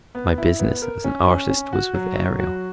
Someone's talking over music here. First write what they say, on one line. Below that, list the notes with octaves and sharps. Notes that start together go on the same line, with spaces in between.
My business as an artist was with Ariel.
B3
E4
B3
A#4
C#4
C#4
C#4
F#4
F#3
F#3
F#4